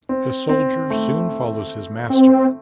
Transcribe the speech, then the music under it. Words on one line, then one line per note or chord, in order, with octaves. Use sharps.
The soldier soon follows his master.
C4
C4
A3
C4